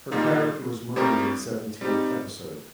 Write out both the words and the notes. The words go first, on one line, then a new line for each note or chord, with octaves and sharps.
Her character was murdered in the seventeenth episode.
A#2 G3 A#3 D#4
A2 G3 C4 G4 A#4
G3 C4 D#4 G4